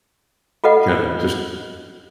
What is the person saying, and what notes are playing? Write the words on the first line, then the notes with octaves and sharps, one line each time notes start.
kinda just
F4 A4 B4 D#5 F#5